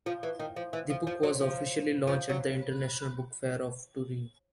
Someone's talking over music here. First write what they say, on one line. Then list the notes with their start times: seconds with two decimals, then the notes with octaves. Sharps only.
The book was officially launched at the International book fair of Turin.
0.06 F3
0.23 E3
0.39 D#3
0.56 F3
0.73 E3
0.90 F3
1.07 F3
1.23 F#3
1.40 F3
2.07 F3
2.29 F#3